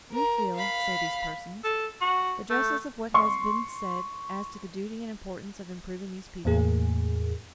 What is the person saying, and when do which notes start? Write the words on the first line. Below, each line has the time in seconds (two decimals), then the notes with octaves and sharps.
We feel, say these persons, the justice of what has been said as to the duty and importance of improving these people.
0.10 A#4 A#5
0.55 F5 B5
1.64 A4
2.01 F#4
2.50 A3
3.14 C6 C#6
6.45 E2 A2 A#3 G#4